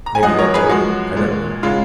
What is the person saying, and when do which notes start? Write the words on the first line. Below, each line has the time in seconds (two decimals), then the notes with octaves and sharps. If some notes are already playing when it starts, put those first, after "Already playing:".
Mebby they do; I don't know.
0.06 A#5
0.15 G#5
0.23 F#2 F3 G#3 D#5 F#5
0.38 A#4 C#5
0.54 G#4 B4
0.69 F#2 F3 G#3 F#4
1.16 A#2 G#3
1.63 C#3 G#3 F4